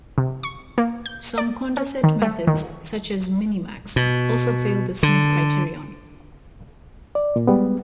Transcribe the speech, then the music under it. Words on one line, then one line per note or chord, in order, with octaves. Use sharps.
Some Condorcet methods, such as Minimax, also fail the Smith criterion.
C3
C#6
A#3
G6
D5
C#4
D#3
A3
D#3
B2
D3
D5
A#2
G3 G#3 B3